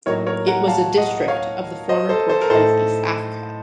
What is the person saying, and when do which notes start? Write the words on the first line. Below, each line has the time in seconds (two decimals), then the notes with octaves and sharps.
It was a district of the former Portuguese East Africa.
0.06 A2 F#3 A#3 D#4 A#4 C#5
0.27 A#4 C#5
0.47 F#5 A#5
0.68 F5 A5
0.97 D#5 F#5
1.28 C#5 F5
1.89 C5 D#5
2.09 A4 C5
2.29 A4 C5
2.42 A#4
2.50 A2 A3 D#4 A4 C5